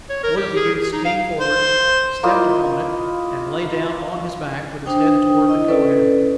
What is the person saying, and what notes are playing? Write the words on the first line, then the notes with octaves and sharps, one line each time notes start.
One of the youths came forward, stepped upon it, and lay down on his back with his head toward the Kohen.
C#5
A#4
G4
G#4
G#4
D#4
F5
C5
A#3 E4 F4 D#5
D4 C5 G5 D#6
E4 D#5
C#4 A4 B4 D5